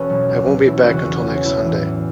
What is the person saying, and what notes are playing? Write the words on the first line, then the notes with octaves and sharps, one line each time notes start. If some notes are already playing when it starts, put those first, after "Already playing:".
I won't be back until next Sunday.
Already playing: E1 C#4 F#4 A4 B4
E2 B2 F#3
C#2
B2 F#3
E1 E4
F#4
E2 C#3 E3 E4
C#4
E2
C#3 E3
B1 E4
A2 E3
E2